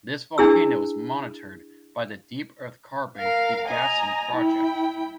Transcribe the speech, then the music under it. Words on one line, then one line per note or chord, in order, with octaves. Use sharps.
This volcano is monitored by the Deep Earth Carbon Degassing Project.
D4 E4 G#4 E6
A#4 F5
D#5 G#5 A#5
E4 G5